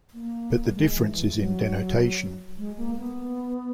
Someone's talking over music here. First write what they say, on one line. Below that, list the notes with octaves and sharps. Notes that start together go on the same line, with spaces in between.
But the difference is in denotation.
A#3
G#3
E3
E3
F#3
G#3
A#3
B3